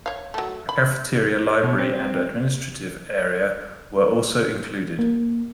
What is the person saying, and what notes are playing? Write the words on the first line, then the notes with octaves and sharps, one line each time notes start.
A cafeteria, library and administrative area were also included.
C#5 F5
F#3 A3
B5
B2
C4
A#3